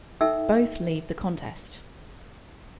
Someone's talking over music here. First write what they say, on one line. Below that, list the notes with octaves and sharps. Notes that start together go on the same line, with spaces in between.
Both leave the contest.
D#4 A4 E5 G5 E6